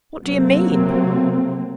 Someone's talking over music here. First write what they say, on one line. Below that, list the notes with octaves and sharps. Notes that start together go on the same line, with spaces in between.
What do you mean?
C3 F#3 A3 A#3 C4